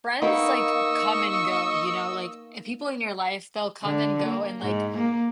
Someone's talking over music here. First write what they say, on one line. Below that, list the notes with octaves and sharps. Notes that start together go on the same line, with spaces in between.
friends, like, come and go, you know, like, if people in your life, they'll come and go and, like,
A#3 B3 D#4 D#5 C#6 E6
D3
A#3
G#2
A#3